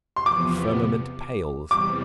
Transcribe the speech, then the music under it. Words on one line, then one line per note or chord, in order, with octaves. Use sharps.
The firmament pales.
C6
E2 C3 F3 B3 D6
E2 C3 G3 D6